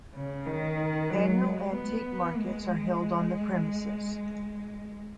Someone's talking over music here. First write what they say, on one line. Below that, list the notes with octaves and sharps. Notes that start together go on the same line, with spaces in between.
Annual antique markets are held on the premises.
C#3
D#3
F#3
G#3
B3
G#3